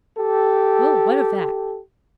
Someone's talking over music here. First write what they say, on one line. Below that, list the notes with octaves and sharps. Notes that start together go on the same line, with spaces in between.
"Well, what of that?"
G4 A4